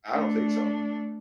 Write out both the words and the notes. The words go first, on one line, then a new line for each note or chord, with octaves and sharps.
I don't think so.
A3 D4